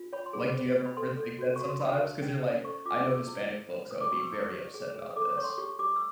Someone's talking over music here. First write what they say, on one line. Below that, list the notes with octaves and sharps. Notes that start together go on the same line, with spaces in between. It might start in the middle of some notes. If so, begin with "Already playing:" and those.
Like, do you ever think that sometimes? 'Cause you're like, "I know Hispanic folks that would be very upset about this,"
Already playing: F4
C#5 B5
C6
G#4
B5
C5
C5
B5
A4 C6
A4
F#4
F#4 C#6
C6
D#4 B5
A#4
C#4
C5
A4 C#6
F4 D6
G#4 E6
E4
C5
C5
B4 D#6
D6
F#4 C#6
E6
E4 D#6
G4
G#4
G#4
D#6
A4 D6
D#6
C#5 C#6
C6
G4 C#6
G4 D6
E6